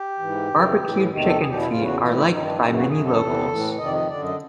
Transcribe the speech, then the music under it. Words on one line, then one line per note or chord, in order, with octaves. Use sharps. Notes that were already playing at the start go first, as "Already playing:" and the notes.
Barbecued chicken feet are liked by many locals.
Already playing: G4
G#2 E3
F#2 C#3 E3
A2 E3
E2 C3 D#3
A4
E2 B2 G#4
G4
E4
E2 C#3 E3 F4
F#4
A2 E3 F4
E4
G2 D#3 D#4
C#4
D4
F#2 C#3 E3 D#4
F#4
F#2 D3 G#4
A4
E2 C3 E3
A2 E3
F2 C3 D#3 D#5
D5
D#5
F#2 D3 D5
D#5